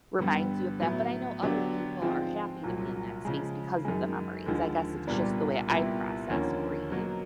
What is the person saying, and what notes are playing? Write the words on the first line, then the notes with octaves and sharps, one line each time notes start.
reminds you of that, but I know other people are happy to be in that space because of the memories, I guess it's just the way I process grief.
G2 D3 G3 B3
A2 F#3 B3 E4
D3 F#3 B3 D4 G4
G#2 F3 G#3 C4 F4
C2 A#2 F#3
C#3 F3 G#3
F#2 D#3 G#3
D#2 D3 F3 G#3
C2 A#2 G3 B3 D4
C2 A#2 G3 B3 E4
D#2 D3 F3 A#3 C#4
B2 F#3 A#3